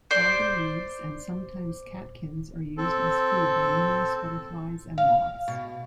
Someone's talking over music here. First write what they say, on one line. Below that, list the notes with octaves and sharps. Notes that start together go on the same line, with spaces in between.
Alder leaves and sometimes catkins are used as food by numerous butterflies and moths.
C5 D5
C4 A4
F5
B2